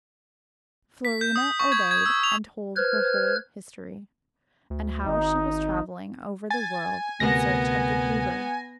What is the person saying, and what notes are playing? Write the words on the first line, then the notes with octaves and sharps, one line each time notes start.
Florina obeyed, and told her whole history, and how she was travelling over the world in search of the Blue Bird.
B6
G6
D#6
C#6
G#6
G#6
E6
F7
B4 C5 F6 G#6
D2
G#1 D#4
G#5 A6
D2 C3 B3 A#4 A#6